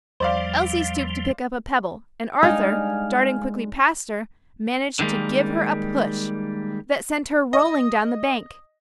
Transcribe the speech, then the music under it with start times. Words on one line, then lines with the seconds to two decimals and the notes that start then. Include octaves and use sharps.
Elsie stooped to pick up a pebble, and Arthur, darting quickly past her, managed to give her a push that sent her rolling down the bank.
0.20 E2 F3 G3 C5 D5 F5
2.43 G3 G#3 D4 D#4 F5 G#5 F6
4.99 D3 D#3 G3 G#3 A#3
7.53 D#5